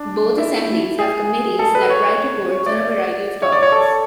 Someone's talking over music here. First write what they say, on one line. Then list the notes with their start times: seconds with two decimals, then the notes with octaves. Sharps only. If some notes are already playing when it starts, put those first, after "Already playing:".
Both assemblies have committees that write reports on a variety of topics.
Already playing: D4
0.38 E4
0.99 G#4
1.59 A4
1.75 B4
1.90 C#5
2.51 C#5
2.66 D5
3.42 C#5
3.52 D5
3.63 C#5
3.72 A4